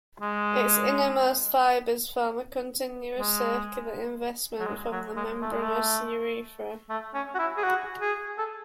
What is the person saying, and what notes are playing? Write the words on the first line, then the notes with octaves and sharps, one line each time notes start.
Its innermost fibers form a continuous circular investment for the membranous urethra.
G#3
G#3
F#3
G#3
F#3
G#3
A3
G#3
A3
A3
C#4
F#4
E4
G#4
F#4
G#4
A4